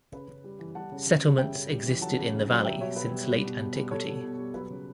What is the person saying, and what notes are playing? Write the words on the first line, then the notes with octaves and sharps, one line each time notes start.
Settlements existed in the valley since Late Antiquity.
C#3 B4
C#3
G3
E3
G3 F#5 A5
C#3
C#3
G3
C#3 E5 G5
C#3
G3
E3
F#3 F#5 A5
C#3
C#3
F#3
G3 E5 G5
B2 C#5 E5
B2 B4
G3
G3
B2
B2
G3
G3 A4 C#5
B2
B2
G3
F#3 B4
C#3